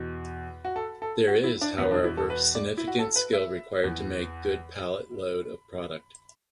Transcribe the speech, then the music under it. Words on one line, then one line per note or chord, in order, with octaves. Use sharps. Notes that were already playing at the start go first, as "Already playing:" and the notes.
There is, however, significant skill required to make a good pallet load of product.
Already playing: E2 B2
F#4
A4
A4
F#4
E4
D4
E2 B2 B3
D4
E4
A4
B4
D5
E4
F#4
A4
B4
E5
E2 E3